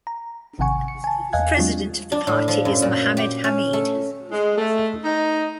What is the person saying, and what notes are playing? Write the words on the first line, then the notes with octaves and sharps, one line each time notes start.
The president of the party is Mohammed Hamid.
A#5
G#1 C3 D#3 F#5 G#5 C#6
C#7
G#5 A5
E2 D#5 F5 G#5 F#6 G#6
F#3 G#3 C4 D4 F4
D4
A2
F3
F#2
A#2
G4
C#4
A3
G#3
A3
D#4